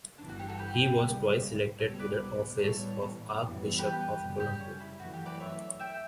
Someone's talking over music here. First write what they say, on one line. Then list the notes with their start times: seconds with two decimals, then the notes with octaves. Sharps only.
He was twice elected to the office of Archbishop of Colombo.
0.18 G1 G2 E3 D4
0.29 F#4
0.39 G4
0.48 F#4 A4
0.59 G4 B4
0.99 C#2 C#3 G3
1.78 C#2 B2 G3 B3 A4 C#5
1.99 B4 D5
2.59 A1 A2 E3 G3 B3 A4 C#5
3.40 F#2 E3 G3 B3
3.79 G4 B4
4.20 F#2 C#3 G3 G4
4.40 G4
4.60 C#4
4.80 E4
5.00 F#2 E3 A3 F#4
5.13 G4
5.26 B4 D5
5.40 C#5 E5
5.79 E5 G5